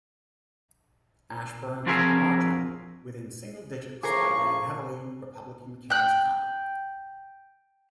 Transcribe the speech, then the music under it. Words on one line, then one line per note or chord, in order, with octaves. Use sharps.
Ashburn kept the margin within single digits by winning heavily Republican Kings County.
F3 C4 F#4 G#4 A#4 E5
A2 C#3 F3 G#4 A#4 C#6 D6 C7
G5 F#6